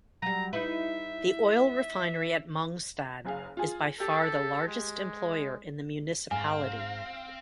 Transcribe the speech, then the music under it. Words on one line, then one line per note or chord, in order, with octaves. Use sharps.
The oil refinery at Mongstad is by far the largest employer in the municipality.
F#3 G3 A#5
D#4 E4 B4 E5
F#1 G#4 F5
F4 G#4
G4 A4
G#3
G#2 C4 F5 G#5